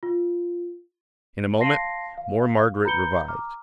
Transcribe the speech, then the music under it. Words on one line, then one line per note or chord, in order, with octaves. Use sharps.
In a moment more Margaret revived.
F4
F5 A5 C6 A#6 C7
F5
B4 A#5 B5 G6 C#7 G7
A#5 D6 F6